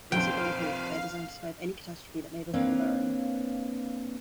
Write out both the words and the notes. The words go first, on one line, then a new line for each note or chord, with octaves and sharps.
Also bomb-proof, they are designed to survive any catastrophe that may befall their owner.
F1 A#1 F2 B4 C5 F5 G5
A#3 C4 D4 B4 C#5 F5